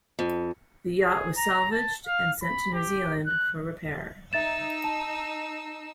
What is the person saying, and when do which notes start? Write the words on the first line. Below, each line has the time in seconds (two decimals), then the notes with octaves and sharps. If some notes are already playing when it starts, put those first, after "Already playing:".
The yacht was salvaged, and sent to New Zealand for repair.
0.19 F2
1.02 G#4
1.37 A#5
1.71 A5
2.07 F5
2.42 B5
2.73 G4
3.26 F#6
4.33 D#4 E5 E6 A6 E7
4.84 A5